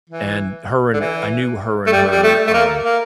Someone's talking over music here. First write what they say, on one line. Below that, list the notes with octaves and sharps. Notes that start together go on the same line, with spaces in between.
and her and I knew her and her, um,
E3
D3
E3
A3
G3
G3
A3
A3
A#3
A#3